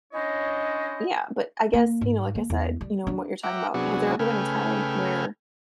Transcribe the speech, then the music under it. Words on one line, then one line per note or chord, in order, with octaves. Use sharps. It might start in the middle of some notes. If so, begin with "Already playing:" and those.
Yeah, but I guess, you know, like I said, you know, and what you're talking about, has there ever been a time where
C#4 D4 E4 C5 C#5 D#5
A#3
G#2
A#3
E2
G3
D4
E5 F#5 G5 A#5 D6
C3 F#3 B3 D4 F#4 G#4
C#3 A3 B4 G5 G#5 F6